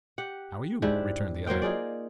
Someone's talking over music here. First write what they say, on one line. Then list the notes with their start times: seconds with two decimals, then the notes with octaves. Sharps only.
"How are you?" returned the other.
0.18 G4 F#5
0.82 G#2 D4 E4 G4
1.47 F#3 A#3 C5 G5
1.62 D#4 F4 G#4 D5